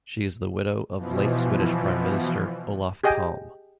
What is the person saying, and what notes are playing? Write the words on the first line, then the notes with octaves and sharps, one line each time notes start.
She is the widow of late Swedish Prime Minister Olof Palme.
B2 E3 F3
G4 G#4 D#5 G5 G#5